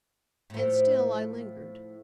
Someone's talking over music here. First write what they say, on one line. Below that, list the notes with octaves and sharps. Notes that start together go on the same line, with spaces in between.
And still I lingered.
A2 F3